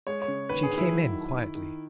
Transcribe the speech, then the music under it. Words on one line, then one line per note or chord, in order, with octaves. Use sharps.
She came in quietly.
G#3 C#5
C#5
C#3
D#2 B4
G#4
D#2
E4
F#3
D#3
D#3
D#3